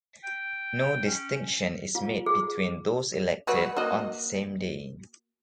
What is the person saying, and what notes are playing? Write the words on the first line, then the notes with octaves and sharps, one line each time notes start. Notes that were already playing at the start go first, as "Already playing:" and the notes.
No distinction is made between those elected on the same day.
G5
C#4
F4
G#4
F#3 F#4 B4
A#3 F#4 D#5